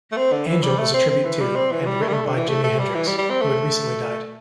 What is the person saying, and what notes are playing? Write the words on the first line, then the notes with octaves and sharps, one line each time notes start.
"Angel" is a tribute to, and written by Jimi Hendrix, who had recently died.
A3
C4
D3
E3
G3
A3
C4
C4
E3
G3
C4
E3
G3
A3
G3
A3
D3
E3
A3
A3
G3
E3
G3
G3
C4
A3